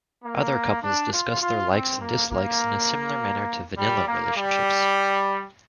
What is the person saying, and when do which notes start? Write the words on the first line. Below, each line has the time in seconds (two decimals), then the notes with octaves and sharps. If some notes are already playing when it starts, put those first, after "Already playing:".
Other couples discuss their likes and dislikes in a similar manner to "Vanilla" relationships.
0.24 A#3
0.83 D4
1.12 F4
1.41 F4
1.71 C4
2.00 A#3
2.30 A#3
3.77 G3
4.07 A#3
4.36 G3